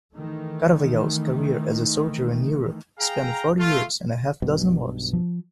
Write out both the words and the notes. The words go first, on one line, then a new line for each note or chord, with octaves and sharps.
Carvajal's career as a soldier in Europe spanned forty years and a half-dozen wars.
D#3 E3 A3
G#4 F5 G5 A#5
A3 F4
B1 G2 B2
F3